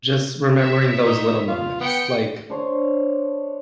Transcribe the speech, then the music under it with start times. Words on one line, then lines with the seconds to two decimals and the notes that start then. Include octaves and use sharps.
just remembering those little moments, like
0.57 C#5 E5
1.07 D#4
1.48 F4
1.81 B3 G5 C#7
2.50 D4 C5 C#5